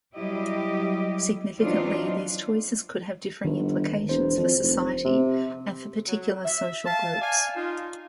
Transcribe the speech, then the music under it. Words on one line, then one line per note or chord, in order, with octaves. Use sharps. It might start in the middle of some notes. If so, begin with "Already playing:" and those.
Significantly, these choices could have differing implications for society and for particular social groups.
F#3 G3 E4 G4 D#5
E3 F#3 C4 D4 D#4 F4
G1 D#3
E1 C5
F2
F1
C3
F#3
E5
F5 A5
D5 F5 G#5
D#4 F4